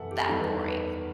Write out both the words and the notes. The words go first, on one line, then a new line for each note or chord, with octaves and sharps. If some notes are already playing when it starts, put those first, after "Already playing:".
that boring.
Already playing: F#1 E2 C3 E3 A4 E5 F#5
G4
E2 D#3 G3 A4
B4
A4
B4